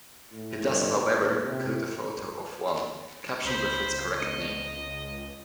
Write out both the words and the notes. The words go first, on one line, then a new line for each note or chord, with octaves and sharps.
He does, however, include a photo of one, captioned with its correct name.
A2
G1
D#1
C3
C#2 C5 B5
D#5